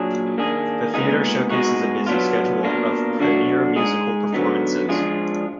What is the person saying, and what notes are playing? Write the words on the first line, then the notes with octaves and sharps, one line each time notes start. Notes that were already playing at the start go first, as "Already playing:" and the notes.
The theater showcases a busy schedule of premier musical performances.
Already playing: A#2 F#3 D4 G#4
D#3 A#3 D4 G#4
A#2 G#3 B3 D#4 G#4
B2 G#3 D#4 F#4
F#3 B3 D4 F4
B2 A#3 D4 F4
D3 F#3 D4 F#4
G#3 D#4 G#4
D3 F#3 B3 D#4
F3 G#3 D4 F4 G#4